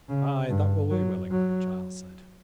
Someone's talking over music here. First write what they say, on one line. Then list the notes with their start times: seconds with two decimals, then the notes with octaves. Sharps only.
"Aye, that will we willingly," Giles said.
0.09 C#3
0.50 G2
0.90 F#3
1.31 F#3